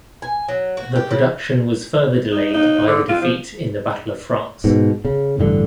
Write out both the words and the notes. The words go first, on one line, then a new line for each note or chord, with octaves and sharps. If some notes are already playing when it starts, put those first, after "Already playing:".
The production was further delayed by the defeat in the Battle of France.
G#5
F#3
F#4
G4
C#3
D#4
D#4
D3
F4
F3
G#2 B2
C#3
A1 G2 D3